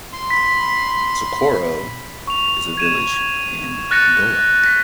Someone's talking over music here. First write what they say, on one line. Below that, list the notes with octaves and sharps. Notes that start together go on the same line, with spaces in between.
Soccoro is a village in Goa.
C6
B5 B6
C#6 F7
G#6 D#7 E7
F6 F#6 A6 A#6 C#7 D#7
A#6 B6